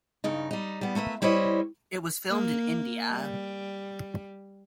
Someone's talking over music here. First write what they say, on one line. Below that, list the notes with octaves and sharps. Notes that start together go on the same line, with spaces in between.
It was filmed in India.
G2 C#3 D#4
G3 D#4
G3 B3
A3 A#3 B4 E5
G3 E4 C5 C#5 D#5
A#3
G3